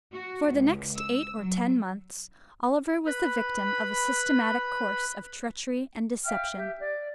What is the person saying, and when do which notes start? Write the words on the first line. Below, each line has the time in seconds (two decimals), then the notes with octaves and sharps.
For the next eight or ten months, Oliver was the victim of a systematic course of treachery and deception.
0.12 F#4
0.49 C#2
0.96 E6
1.37 F#3
3.07 B4 B5
6.25 E5 F5 G5 F6
6.56 G4 E5
6.79 D5